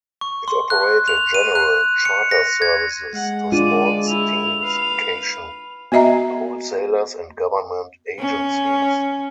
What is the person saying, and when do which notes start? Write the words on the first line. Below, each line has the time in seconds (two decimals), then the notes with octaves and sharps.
It operated general charter services to sports teams, vacation wholesalers and government agencies.
0.21 C#6
0.48 C6
0.70 F#6
1.08 F7
1.34 D#7
1.55 F#6
2.05 C#7
2.31 A#6
2.62 G#6
3.14 G#3 F#5
3.52 D4 F4 D5 D#7
4.07 E4 F7
4.62 B4 F5
5.92 B3 F#4 D#5 E5 A#5
8.19 C#4